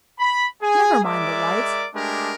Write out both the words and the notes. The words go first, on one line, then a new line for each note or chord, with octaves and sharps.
Never mind the lights.
B5
G#4 G#5
G#3 A#4 D5 E5 D6
G#3 A3 D4 G4 G#4 A#4